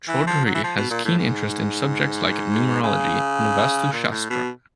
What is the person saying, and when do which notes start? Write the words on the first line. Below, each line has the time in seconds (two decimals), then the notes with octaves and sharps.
Chaudhry has keen interest in subjects like Numerology and Vastu Shastra.
0.08 E3
0.27 F3
0.46 F#3
0.54 E3
0.63 F3
0.77 B2
0.90 A#2
1.05 A2
1.18 G#2
2.83 C#3
3.93 A#2
4.11 A2
4.30 B2